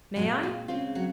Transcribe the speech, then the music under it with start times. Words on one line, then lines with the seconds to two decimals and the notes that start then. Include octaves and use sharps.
"May I?"
0.16 A#2 F#3 G#3 C4 F#4
0.43 F4
0.68 C#3 G#3 C4 F4
0.95 F#3 F#4